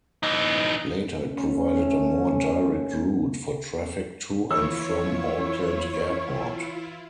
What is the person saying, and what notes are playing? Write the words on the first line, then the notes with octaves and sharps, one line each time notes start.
Later, it provided a more direct route for traffic to and from Auckland Airport.
E3 D#4
A3 C#4
E3 E4 F4 C#5 E6